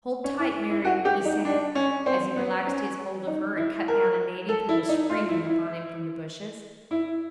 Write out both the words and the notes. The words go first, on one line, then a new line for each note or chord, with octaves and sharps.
"Hold tight, Mary," he said, as he relaxed his hold of her and cut down a native who was springing upon him from the bushes.
C#4
E4
E4
F#4
G4
D#4
D4
C#4
C4
B3
C#4
D#4
E4
A#4
A4
E4
D#4
F4
E4
E4
E4